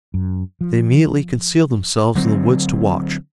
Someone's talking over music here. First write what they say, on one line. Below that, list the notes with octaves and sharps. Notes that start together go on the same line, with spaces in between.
They immediately concealed themselves in the woods to watch.
F#2
F3
D3 F#3 B3 C4